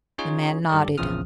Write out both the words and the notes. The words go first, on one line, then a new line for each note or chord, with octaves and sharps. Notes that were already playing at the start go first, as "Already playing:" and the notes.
The man nodded.
C#4 D#4 F4 G#4 C#5
G2 G4 A4 D5
A#1 E2 C#3 F3 D#6 F6